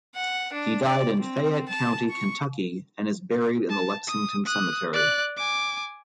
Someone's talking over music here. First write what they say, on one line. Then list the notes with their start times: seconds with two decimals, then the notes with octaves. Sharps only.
He died in Fayette County, Kentucky and is buried in the Lexington Cemetery.
0.15 F#5
0.52 D4
0.87 D5
1.20 C4
1.68 A5
2.10 C#6
3.70 A5
4.07 D#6
4.46 D#6 F#6
4.93 D5 F#6
5.37 G#5 D6